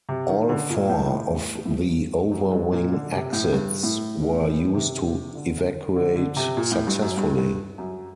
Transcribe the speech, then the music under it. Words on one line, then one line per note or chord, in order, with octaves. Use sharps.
All four of the overwing exits were used to evacuate successfully.
C3
D#3
D3
A#2
A2
G2
A2
A2
G2
F#2
F#2
G2
A#2
D3
C3
A2
G2
A2
C3
D3
D3
D3
C3
A#2
A2
G2
F#2
G2
G2
F#2